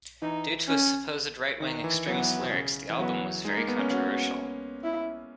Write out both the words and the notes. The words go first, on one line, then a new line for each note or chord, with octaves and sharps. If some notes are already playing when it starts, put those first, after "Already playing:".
Due to supposed right-wing extremist lyrics, the album was very controversial.
E3 D#4
C#4
D#3 D#4
E3
F#3 B3
E3
B2
C#3
E3
F#3 B3
G#3 D#4
A#3
B3
C#4
C#4 F#4
E4